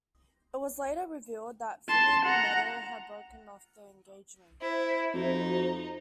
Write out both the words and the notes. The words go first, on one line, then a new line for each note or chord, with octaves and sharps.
It was later revealed that Finn and Meadow had broken off the engagement.
A5 C6
F#5 A#5
E4 C5 E5
F2 D#4 F#4